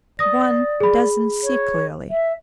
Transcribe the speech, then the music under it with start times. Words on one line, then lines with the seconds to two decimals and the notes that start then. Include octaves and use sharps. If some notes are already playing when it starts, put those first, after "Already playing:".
One doesn't see clearly.
0.19 D5 D#6 A#6
0.81 G#4 B5
1.43 C#5
2.10 E5